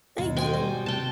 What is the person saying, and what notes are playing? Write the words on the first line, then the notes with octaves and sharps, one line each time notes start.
Thank you.
D#2 G#2 B2 F#3
F#4 C5 D#5 G5 G#5
G3
C3 G5 A5